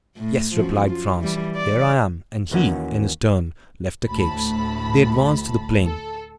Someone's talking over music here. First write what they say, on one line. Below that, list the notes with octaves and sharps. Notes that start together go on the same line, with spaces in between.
"Yes," replied Franz, "here I am," and he, in his turn, left the caves. They advanced to the plain.
A2
F#2 F3
F4
E3 G3
D5
D#2 E3 A#3 C#4 F#4
D2 A2 A5 B5
A4